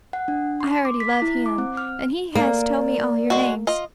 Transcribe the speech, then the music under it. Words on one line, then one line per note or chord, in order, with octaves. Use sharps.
I already love him, and he has told me all your names.
F#5
D4
C6
D6
B6
E4
D6
C4
F6
A#3 D5
G#3 F#4
F4 D#5